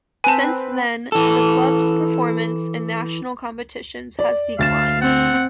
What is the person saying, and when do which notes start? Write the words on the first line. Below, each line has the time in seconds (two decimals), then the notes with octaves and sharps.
Since then the club's performance in national competitions has declined.
0.24 C4 B4 G#5 A5
1.12 E3 A4
4.19 D5
4.59 D2 F5 A6 E7
5.01 C4 F#5